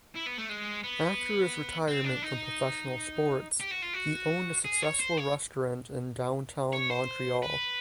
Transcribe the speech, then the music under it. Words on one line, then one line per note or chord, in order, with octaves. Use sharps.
After his retirement from professional sports, he owned a successful restaurant in downtown Montreal.
E4
B3
A3
G#3
B3
C4
D4
D#4
G4
F#4
F4
F#4
G#4
C#5
C5
C#5
C#5
C5
B4